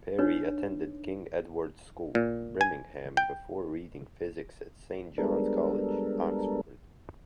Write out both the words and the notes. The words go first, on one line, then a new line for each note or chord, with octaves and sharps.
Perry attended King Edward's School, Birmingham before reading physics at Saint John's College, Oxford.
D4 D#4 B4 C#5
A#2
G#5
G5
G3 G#3 B3 D4 A4 A#4